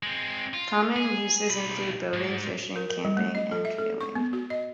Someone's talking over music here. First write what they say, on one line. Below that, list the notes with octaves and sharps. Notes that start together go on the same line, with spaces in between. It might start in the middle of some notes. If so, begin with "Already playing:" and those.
Common uses include boating, fishing, camping and canoeing.
G#3 C4
F4
G#4
B1 B5
G#2
A#4
A#4
G3
A3
D#5
A4
E5
A4
C#6
B3
F#4
D#5